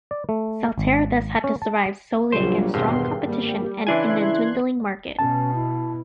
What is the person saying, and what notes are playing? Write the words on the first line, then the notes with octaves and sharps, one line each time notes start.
Saltair thus had to survive solely against strong competition, and in a dwindling market.
D5
A3
G#1
C#4
A5
A#1 C#3 F#3 G3 C5
G#1 E2 G2 B2 C6
G3 A#3
C#3 E3 D4 E4 G#5 C6 F#6 G#6
B2 C#4 A5
E4